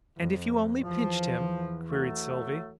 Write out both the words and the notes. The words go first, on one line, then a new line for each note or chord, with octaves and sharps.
"And if you only pinched him?" queried Sylvie.
F2
E2 F3
F#3 A3 A4